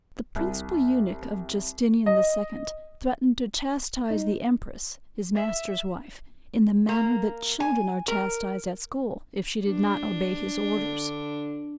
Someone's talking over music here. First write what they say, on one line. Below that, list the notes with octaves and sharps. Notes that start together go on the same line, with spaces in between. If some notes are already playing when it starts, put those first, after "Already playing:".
The principal eunuch of Justinian the Second, threatened to chastise the Empress, his master's wife, in the manner that children are chastised at school, if she did not obey his orders.
C2
D#5
D#4
E5
A#3
G#5
A#4
G2 D4
D3